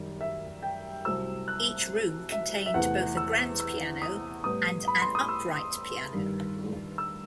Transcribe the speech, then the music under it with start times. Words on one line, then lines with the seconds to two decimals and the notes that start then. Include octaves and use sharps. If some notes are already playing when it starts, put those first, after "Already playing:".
Each room contained both a grand piano and an upright piano.
Already playing: F#2 D#3 G3
0.21 E5
0.62 G5
1.05 C2 C3 F#3 C4 E6
1.48 F#6
2.32 E5
2.66 E5
2.74 E2 C3 E3 A3 F#5
3.17 E6
3.60 E6
4.02 D#6
4.44 A2 G3 B3 D#6
4.88 B5
5.02 C6
5.15 D#6
5.29 E6
6.13 G2 D#3 G3
6.98 E6